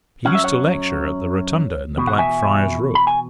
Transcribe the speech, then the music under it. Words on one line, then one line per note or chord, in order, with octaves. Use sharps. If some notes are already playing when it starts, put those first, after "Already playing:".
He used to lecture at the rotunda in the Blackfriar's Road.
F#2 F#3 C#4 F#5
E5
C#5 F#5
E2 B2
F#5
E5 G#5
B5
G#5